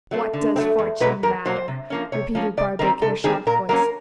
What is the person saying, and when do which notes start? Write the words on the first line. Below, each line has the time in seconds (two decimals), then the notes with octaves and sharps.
'What does fortune matter?' repeated Barbaik, in a shocked voice.
0.11 F#3 A3 C4
0.33 D3
0.56 F#3 A3 C4
0.79 E2
1.00 B2 F#3 A#3 B4
1.23 E2 A#4
1.45 B2 F#3 A#3 C5
1.68 C3
1.90 F3 A#3 C#4
2.12 C3 C#5
2.35 F3 A#3 C#4
2.57 C3 D5
2.79 D#3 G3 C4 A#4
3.01 C3 A4
3.24 D#3 G3 C4 G#4
3.47 A#2 A#4
3.69 F#3 A#3 C#4 A#4